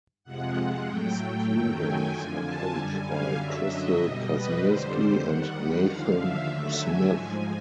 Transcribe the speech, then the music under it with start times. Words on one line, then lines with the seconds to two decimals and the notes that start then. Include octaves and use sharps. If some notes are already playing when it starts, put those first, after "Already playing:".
Students are coached by Crystal Kazmierski and Nathan Smith.
0.24 F2 C3 F3 G#3 F#5
0.86 A2 F#3 A3 G5
1.48 F#2 D#3 F#3 A3
1.80 G#5
2.11 F2 D3 F3
2.42 A5
2.73 F#2 D3 G3 G#5
3.04 F5
3.36 F#2 D3 F#3 E5
3.67 D#5
3.98 B2 G3
4.29 B4
4.59 F2 D3 G3 C5
4.91 C5
5.22 D#2 D#3 G3 F#5
5.84 D#2 D3 F3 F5
6.16 E5
6.47 D#2 D3 F#3 A3
6.78 G#5
7.09 G#2 F3 G#3